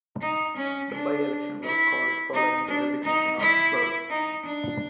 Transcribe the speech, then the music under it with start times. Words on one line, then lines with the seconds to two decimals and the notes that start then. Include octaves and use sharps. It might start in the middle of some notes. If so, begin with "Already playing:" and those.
The by-election was called following the resignation of Cllrs.
0.22 D#4
0.57 C#4
0.92 D4
1.64 E4
2.34 D#4
2.68 D4
3.04 D#4
3.40 E4
4.10 D#4
4.46 D4